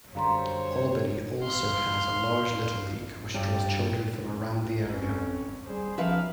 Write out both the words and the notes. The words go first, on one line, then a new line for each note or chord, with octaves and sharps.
Albany also has a large little league, which draws children from around the area.
F#2 D3 G3 C5 C#5 F5 A#5 C6
F5 C6
G2 G3
D2
F2 C#4
G3 G#4 C5
F3 B3 C#4 D#4 B4 E5 F5